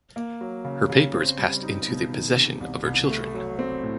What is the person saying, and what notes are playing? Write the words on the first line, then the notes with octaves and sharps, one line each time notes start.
Her papers passed into the possession of her children.
A#3
F#3
C#3
C#3
C4
G3
D#4
B2
D#3
C3
C2
C2
A3
F#3
C4
A2